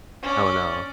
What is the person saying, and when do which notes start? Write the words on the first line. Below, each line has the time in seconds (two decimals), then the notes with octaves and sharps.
Oh, no.
0.22 C#4 D5